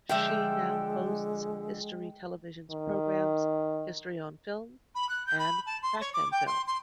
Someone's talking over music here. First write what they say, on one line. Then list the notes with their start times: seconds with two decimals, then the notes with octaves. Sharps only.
She now hosts History Television's programs "History on Film" and "Fact and Film".
0.09 D3 F3 G#3 E5 G5
2.71 D#3
4.95 B5
5.09 F#6
5.26 G6
5.39 B5
5.66 A5
5.82 C6
6.00 C#5
6.13 D6
6.31 G5
6.46 C6
6.67 C6